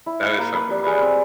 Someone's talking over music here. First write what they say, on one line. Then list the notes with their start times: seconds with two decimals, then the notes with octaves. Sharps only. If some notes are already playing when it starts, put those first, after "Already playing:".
that is something that
0.06 E4
0.23 F5
0.38 A#3
0.54 B4
0.70 G3
0.87 G#4
1.02 C4